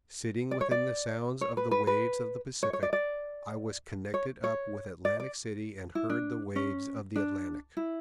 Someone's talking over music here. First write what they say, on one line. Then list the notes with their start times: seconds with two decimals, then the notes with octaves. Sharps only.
Sitting within the sound of the waves of the Pacific, I was connected up with Atlantic City and heard the waves of the Atlantic.
0.51 D5
0.61 C#5
0.71 D5
1.41 C#5
1.57 B4
1.71 B4
1.87 B4
2.63 C#5
2.73 C#5
2.83 D5
2.93 D5
4.14 C#5
4.44 C#5
5.05 D5
5.20 D5
5.95 E4
6.10 D4
6.56 C#4
7.16 D4
7.77 E4